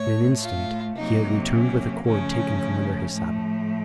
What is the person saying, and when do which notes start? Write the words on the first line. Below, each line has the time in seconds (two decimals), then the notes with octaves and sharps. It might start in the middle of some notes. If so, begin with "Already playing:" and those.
In an instant he had returned with a cord taken from under his saddle.
Already playing: A2 A3 C#5
0.43 F4
0.97 C3 F#3 A#3 D#4
1.51 C#4
2.05 C#3 F3 A3 C#4
3.13 A2 F3 A3